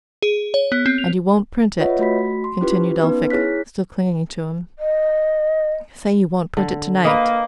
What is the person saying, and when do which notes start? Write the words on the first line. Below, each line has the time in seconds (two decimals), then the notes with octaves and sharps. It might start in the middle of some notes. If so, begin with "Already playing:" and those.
"And you won't print it?" continued Elphick, still clinging to him. "Say you won't print it tonight?"
0.22 G#4
0.54 C#5
0.72 B3
0.86 C4
0.98 F7
1.80 F4 B4 C#5 D#5 E5 F#5
1.99 A3 F#4 B5 B6
2.44 C6
2.61 C#4 E4 F4 G4 B4
3.00 B3 C#4 D#4 B4
3.30 E4 G#4 C#5 F#6 B6
4.79 D#5
6.57 D3
7.05 A#3 B4 D#5